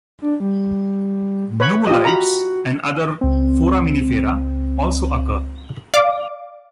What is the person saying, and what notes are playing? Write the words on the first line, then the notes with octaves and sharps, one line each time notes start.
Nummulites and other foraminifera also occur.
D4
G3
B4 C#5 B5
F4 G4 D#5
F#4 A#5 B5
C#2 C4
D5 F5 D6